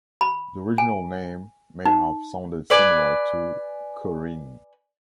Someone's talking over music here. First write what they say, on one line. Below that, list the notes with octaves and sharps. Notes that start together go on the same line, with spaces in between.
The original name may have sounded similar to "Korinn".
B5
G#5
D#4
B4 D5 G#5